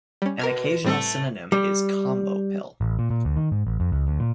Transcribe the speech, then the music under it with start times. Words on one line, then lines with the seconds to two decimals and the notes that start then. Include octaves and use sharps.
An occasional synonym is "combopill".
0.22 G3 C#4
0.39 B2 A#4 F6 G#6
0.85 A2 G3 A3 C4 A4
1.52 G3
2.81 A1
2.99 A#2
3.11 A#2
3.25 D2
3.37 D#3
3.51 G#2
3.67 A1
3.80 F2
3.92 C#2
4.07 D2
4.20 A#2